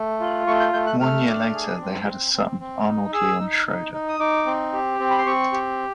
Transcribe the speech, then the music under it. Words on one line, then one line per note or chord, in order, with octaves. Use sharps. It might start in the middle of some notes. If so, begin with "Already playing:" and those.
One year later they had a son, Arnold Leon Schroeder.
Already playing: A3
F4
A3 C#6
G6
A3 G6
F#6
A3 F6
D4
G#4
C4
C4
C4
C4
D#4
G#4 E6
D#4
D#4
D#4
D#6
D#4 D6
C4
G4
C4
B5
C6
C4 C#6
G4